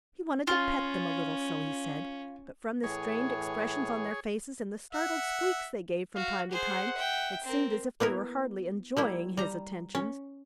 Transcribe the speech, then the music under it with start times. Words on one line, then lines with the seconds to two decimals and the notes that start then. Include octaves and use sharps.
He wanted to pet them a little, so he said, but from the strained expressions on their faces and the startled squeaks they gave from time to time, it seemed as if they were hardly enjoying his attentions.
0.47 C#4 F4
2.83 A2 E3 G#4 C#5
4.93 E5 F#5
6.15 F#4 F5
6.51 G#4 C5 F#5
6.96 E5 G5
7.44 C4 A#4
8.00 A#3 B3 E4 A#4
8.97 G3 A#3 E4
9.37 G3 A#5
9.95 C#4